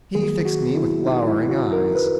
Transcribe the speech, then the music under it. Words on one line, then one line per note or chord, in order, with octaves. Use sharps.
He fixed me with lowering eyes.
D#3 F#3 A#3 G#4
F#4
E4
D#4
E4
F#4
A#4
B4